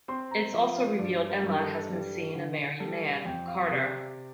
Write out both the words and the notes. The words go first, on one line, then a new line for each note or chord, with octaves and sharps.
It's also revealed Emma has been seeing a married man, Carter.
C4 C6
A#5
F3 E5
F5
G2 D5
A#4
G2
A#4
A4
G3 A4
D3
G3 A4
F2 G5
F5
C3 D5